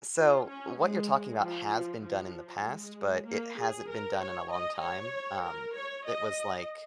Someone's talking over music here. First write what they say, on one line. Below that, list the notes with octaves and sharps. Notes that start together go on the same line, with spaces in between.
So what you're talking about has been done in the past, but it hasn't been done in a long time, um, it was like,
F4
C#4
G#3
F3
F3
G#3
A#3
G#4
A#4
C#5
D#5
C#5
A#4
C#5
D#5